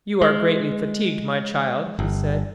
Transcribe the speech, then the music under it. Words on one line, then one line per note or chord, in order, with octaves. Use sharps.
"You are greatly fatigued, my child," he said.
G#3
G1